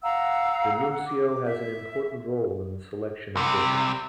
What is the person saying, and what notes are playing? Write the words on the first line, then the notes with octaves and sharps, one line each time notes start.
The nuncio has an important role in the selection of bishops.
F5 F#5 A#5 E6
F#5
D6
E5
C2 C3